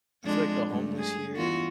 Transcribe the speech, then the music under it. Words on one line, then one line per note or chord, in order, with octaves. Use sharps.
I feel like the homeless here
F2 G#3 D4
G2 A3
G#4
E2 F4 F#4